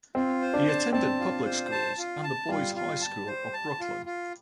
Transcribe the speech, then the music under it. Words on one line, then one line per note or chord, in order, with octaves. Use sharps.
He attended public schools and the Boys High School of Brooklyn.
C4 F4
C5
D4
A5
C4 A5
F4
C5
A5
F4
A5
G3 F4
F4
A5
C5
A5
F4
F4